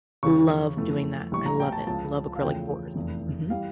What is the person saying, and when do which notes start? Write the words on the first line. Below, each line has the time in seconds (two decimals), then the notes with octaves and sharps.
Love doing that. I love it. Love acrylic pours. Mhm.
0.23 E2 C#3 E3 G3 C#6
0.77 F2 E3 A3
1.32 A#1 A2 E3 G3 C#6
1.46 A#5
1.60 G5
1.72 A5
1.87 C#2 C#3 F3 A5
2.36 F5
2.42 E2 C#3 F3 A3 G5
2.96 F1 E2 E3 A3
3.50 E3 G3 F5